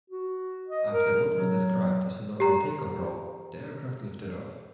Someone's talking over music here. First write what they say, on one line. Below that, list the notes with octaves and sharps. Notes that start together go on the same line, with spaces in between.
After what was described as a normal takeoff roll, the aircraft lifted off.
F#4
D#5
A#4
F#3
G4 A#5